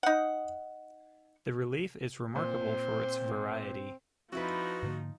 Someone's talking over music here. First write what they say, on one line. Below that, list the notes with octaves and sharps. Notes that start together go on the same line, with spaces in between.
The relief is remarkable for its variety.
D#4 F#5
A#2 C4 C5
F3 C4 D#4 E4 F#4 B4
G#2 D3 A#3